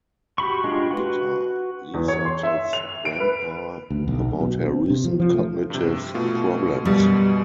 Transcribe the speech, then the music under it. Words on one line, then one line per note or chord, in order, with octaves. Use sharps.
Later, Lisa tells Grampa about her recent cognitive problems.
F#4 G4 B5 C#6
G#3 D4 F4 G4
F#4 B4
E2
C#5
C6
E5
F7
D7
B4
D2
B1
B2
C4
C3
F3
F3
A3
G2 C3
B2 A3 F4
F#2 B2 G3